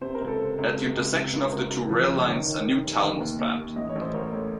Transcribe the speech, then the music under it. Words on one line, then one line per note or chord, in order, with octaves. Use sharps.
At the intersection of the two rail lines, a new town was planned.
C3 C5
A#4
C#2
A4 C5
C3
C#2
C3
C#2
C3
C#2
C5
C#2 F#4 A#4
C#2
F3
C#2
D#3 A#4 C#5
D#3
D#3
F1
D#3
D#2
D#2
D#2
A1 D#5
C#5
A1
C5
A1 A#4 C#5
A2